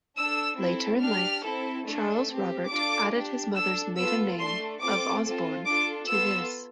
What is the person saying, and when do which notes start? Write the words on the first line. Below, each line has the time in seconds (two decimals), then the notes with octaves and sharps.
Later in life, Charles Robert added his mother's maiden name of Osborn, to his.
0.16 D4 A4 E6
0.59 C4 E4 A4
1.00 D4 G4 F6
1.43 C4 E4 A4
1.85 A3 D4 A4
2.28 C4 G4
2.69 D4 F4 A4 D6
3.12 D4 G4
3.55 D4 A4 E6
3.97 B3 F4 A4 E6
4.39 A3 D4 A4 C6
4.82 C4 F4 A4 D6
5.23 C4 F4 A4
5.66 D4 F4 A4 D6
6.08 B3 F4 A4 E6